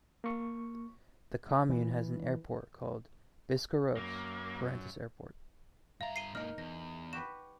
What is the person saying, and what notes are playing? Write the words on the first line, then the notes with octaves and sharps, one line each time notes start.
The commune has an airport, called Biscarrosse - Parentis Airport.
A#3 C#6
E3
F#2 A#3
G2 E5 F5 A#5
C7 D#7 G7
G#2 A#3 D#4 A#4 F6
E2 A#6
F#4 G4 B4 E7